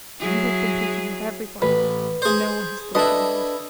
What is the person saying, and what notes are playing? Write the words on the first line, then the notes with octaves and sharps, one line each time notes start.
'You have been thinking of everybody, and no one has thought of you.
F#3 E4 G#4
A1 B4
G#4 C5
D4 E4 A4 B4 D#5